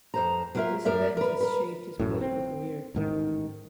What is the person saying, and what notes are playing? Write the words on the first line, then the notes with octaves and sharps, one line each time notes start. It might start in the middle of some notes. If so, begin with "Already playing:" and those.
This event has shaped his political career.
F2 C5 A#5
F#3 A#3 B3 F4 A#4 E5
F#2 A#4 D5 E5
A#4 B4
A#4 B4
A1 F#2 A2
C4
A1 G#2 D#3